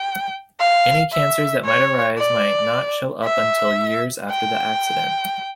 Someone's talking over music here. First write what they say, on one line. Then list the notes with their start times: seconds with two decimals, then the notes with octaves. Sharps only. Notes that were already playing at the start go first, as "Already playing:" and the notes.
Any cancers that might arise might not show up until years after the accident.
Already playing: G5
0.60 F5
1.13 E5
1.65 C#5
2.18 D5
3.24 E5
4.30 G5